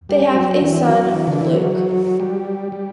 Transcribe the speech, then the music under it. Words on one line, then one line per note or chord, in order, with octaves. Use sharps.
They have a son, Luke.
G3
F#3
E3
F#3
E3
D3
E3
F#3
G3
G3